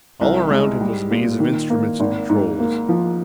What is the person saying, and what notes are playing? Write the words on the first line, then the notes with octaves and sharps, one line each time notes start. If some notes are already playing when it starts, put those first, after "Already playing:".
All around him was a maze of instruments and controls.
C2
G#3
G3
A#2
D#3
A#3
G#1
G#2
A#3
F3